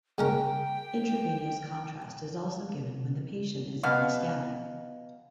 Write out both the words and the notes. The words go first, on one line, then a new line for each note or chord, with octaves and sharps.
Intravenous contrast is also given when the patient is on the scanner.
C#3 C#4 A#4 G5
B2 B3 F5